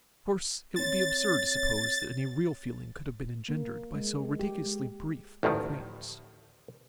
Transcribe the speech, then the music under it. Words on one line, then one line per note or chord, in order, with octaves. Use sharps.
Of course it would be absurd to suppose that any real feeling could have been engendered by so ridiculously brief an acquaintance.
C4 C#5 A6
A#3
G#3
G4
G#3
A1 D2 A2 D#3 F3